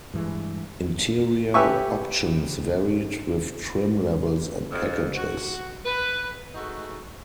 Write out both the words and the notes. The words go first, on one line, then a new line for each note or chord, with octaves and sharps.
Interior options varied with trim levels and packages.
G2 E3 G#3
G4 A4 B4 E5 G#5 C#6
F2
F#4
B4
G#3 A3 D#4 F#4